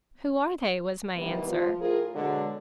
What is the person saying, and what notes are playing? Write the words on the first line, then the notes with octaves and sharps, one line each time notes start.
"Who are they?" was my answer.
C3 D#3 E3 G3 B3
F3
A2 F4 G#4 A#4
B2 D3 F#3 G#3